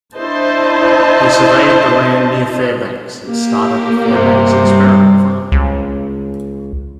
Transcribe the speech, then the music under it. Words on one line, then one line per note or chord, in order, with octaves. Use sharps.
He surveyed the land near Fairbanks and started the Fairbanks Experiment Farm.
D4 E4 C5 D#5 A5
A#3 G4
G2 C3 C4
G3
C#2